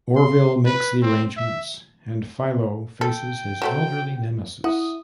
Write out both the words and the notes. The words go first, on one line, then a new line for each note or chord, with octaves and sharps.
Orville makes the arrangements, and Philo faces his elderly nemesis.
C6
B4
C4
E5
A4 G5
F#3 A3 C4
E4 F#5 D#6